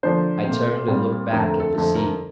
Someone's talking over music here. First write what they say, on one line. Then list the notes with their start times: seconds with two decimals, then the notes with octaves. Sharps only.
I turned and looked back at the sea.
0.03 D3 F3 A#3 D4 C5
0.45 A#2 A3 C4
0.88 A#2 G3 C4
1.30 F2 D3 A3 C4 A#4
1.45 A#4
1.60 A4
1.74 F2 D3 A3 A4
1.96 A#4